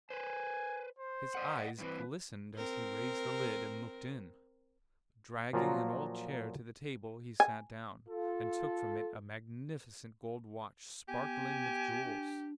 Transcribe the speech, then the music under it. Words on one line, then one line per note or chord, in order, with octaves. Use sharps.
His eyes glistened as he raised the lid, and looked in. Dragging an old chair to the table, he sat down; and took from it a magnificent gold watch, sparkling with jewels.
B4 C5 G#5
C5
D5 D#5 F#5
G2 E3 C4 B4
C4 A#4
A#2 F3 F#3 F4 F#4 A#4
G#5
F4 A4
B3 G4 G#5
D4